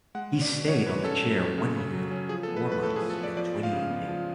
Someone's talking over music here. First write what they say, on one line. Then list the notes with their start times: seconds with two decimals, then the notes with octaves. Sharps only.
He stayed on the Chair one year, four months and twenty-eight days.
0.15 G#3 F#5
0.33 C#4
0.42 D5
0.50 B2
0.68 B2 C#5
0.86 G#3 B4
1.04 C#4 A4
1.22 F#3
1.39 C#4
1.58 C#3
1.76 C#3
1.94 F#3
2.11 C#4
2.29 F3 G#4
2.43 A4
2.47 B3
2.57 B4
2.65 A2
2.72 B4
2.83 A2 A4
2.96 G#4
3.00 F3
3.10 A4
3.19 B3 D5
3.37 F3 D5
3.54 G#3
3.63 F5
3.72 C#3
3.91 B3
4.08 F3